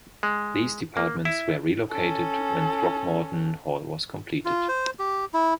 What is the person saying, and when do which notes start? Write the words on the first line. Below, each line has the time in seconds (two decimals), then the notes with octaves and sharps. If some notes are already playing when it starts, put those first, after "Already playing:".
These departments were relocated when Throckmorton Hall was completed.
0.23 G#3
0.97 A#3
1.25 E4
1.90 C#4 A4
4.45 F4
4.68 C5
4.99 G4
5.34 E4